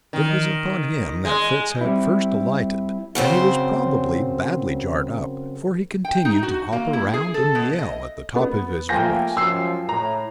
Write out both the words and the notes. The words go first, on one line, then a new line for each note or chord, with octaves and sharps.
It was upon him that Fritz had first alighted, and he was probably badly jarred up, for he continued to hop around and yell at the top of his voice.
D#3
G#3
G3 C4 E4
F#2 C#3 C4 C5
G5
D#4
F#4
A#3
E4
G#4
A4
B2
D#5
B3
F3 A3 A#3 G5 G#5 G6 A#6
F#2 F3 E6 C7
A2 A#5